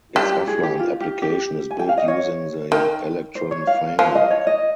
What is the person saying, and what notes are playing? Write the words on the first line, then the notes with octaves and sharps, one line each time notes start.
Its offline application is built using the Electron framework.
G3 G4
G4
G#4
G4
F4
G4
G4
G#5
G5
F5
D#5
C#5
D#3
C5
C#5
F5
F3 F5
D#5
C#5
D#5